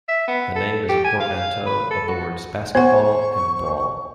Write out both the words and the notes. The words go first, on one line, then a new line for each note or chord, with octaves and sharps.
The name is a portmanteau of the words basketball and brawl.
E5
B3
A4
G4
G#5
F5
B4
A4
F#4
B3 C5 F#5 C#6